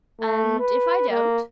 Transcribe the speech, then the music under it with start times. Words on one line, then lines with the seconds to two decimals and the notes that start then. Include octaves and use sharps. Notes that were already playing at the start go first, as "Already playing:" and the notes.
"And if I don't?"
0.20 A3
0.60 B4
1.11 A#3